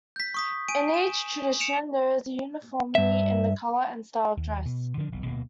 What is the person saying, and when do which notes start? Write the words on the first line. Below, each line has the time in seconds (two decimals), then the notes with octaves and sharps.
In each tradition there is uniformity in the colour and style of dress.
0.16 G6 B6
0.34 C#6 D#6 B6
0.68 G#5 D7 D#7
0.94 E7
1.60 C#7 D7 E7 F7
2.95 G2 E5
4.37 D#2
4.65 B2
4.97 D3 D#3 F3 D4
5.11 E1 B1 B2
5.25 D1 B2 A#3